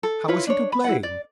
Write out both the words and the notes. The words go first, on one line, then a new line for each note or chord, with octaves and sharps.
How was he to blame?
A4
E4 F4 B4 C#5
D4 C#5
B5
E4 B4 F#5
D5